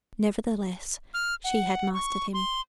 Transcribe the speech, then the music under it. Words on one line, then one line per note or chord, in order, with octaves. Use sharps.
Nevertheless she had mastered him.
F6
F#5
C#6
C6